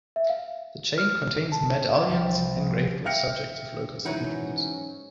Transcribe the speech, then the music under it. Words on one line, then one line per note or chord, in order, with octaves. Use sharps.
The chain contains medallions engraved with subjects of local significance.
E5
F5
F6
A5
C2 F3
E5 F5 G5 F6 A#6 C#7
G#2 E3 F#3 C#4 D#4 E4 F#5